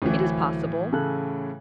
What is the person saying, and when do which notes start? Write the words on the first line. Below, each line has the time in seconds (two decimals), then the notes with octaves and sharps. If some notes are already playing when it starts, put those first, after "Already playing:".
"It is possible."
0.02 D1 A2 E3
0.93 C#3 A4 F#6